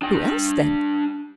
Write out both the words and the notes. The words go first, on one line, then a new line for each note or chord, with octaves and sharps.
"Who else, then?"
D4 G5